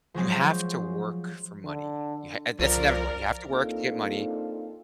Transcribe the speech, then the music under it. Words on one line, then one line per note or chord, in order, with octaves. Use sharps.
you have to work for money. Y ha uh, it's inevitable. You have to work to get money.
F3 F#3 G#3 C4
D3
C2 F3 A#4 D5
A#3 C4 D4 D#4 F4 A4